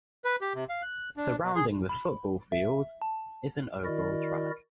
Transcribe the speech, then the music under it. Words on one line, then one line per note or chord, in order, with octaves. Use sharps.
Surrounding the football field is an oval track.
B4
G4
C3
F5
F#6
D4
B2
G#4
B5
E5
A5
D#3 E4 F#4 A#4 D5 D#5